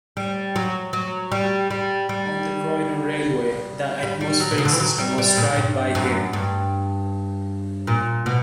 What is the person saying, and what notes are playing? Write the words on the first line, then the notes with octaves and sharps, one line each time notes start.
On the Croydon Railway the atmospheric system was tried by him.
G3
F#3
F#3
G3
G3
G3
G3
G3
F#3
B2
C#3
D3
E3
F#3
G3
G3
A#2
G2
F#2
G2
A#2
B2